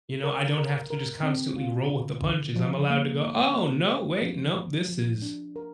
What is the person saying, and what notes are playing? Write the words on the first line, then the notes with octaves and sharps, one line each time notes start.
You know, I don't have to just constantly roll with the punches. I'm allowed to go, "Oh, no. Wait. Nope. This is
A#4
A#4
A#4
C4
F4
D3
D3
F3
A#3
A#3
A#3
C5
F3
F3
F3
D4
A#4